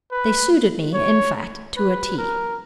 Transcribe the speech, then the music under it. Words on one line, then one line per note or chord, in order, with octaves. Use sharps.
They suited me, in fact, to a T.
B4
C#5
B4
A#4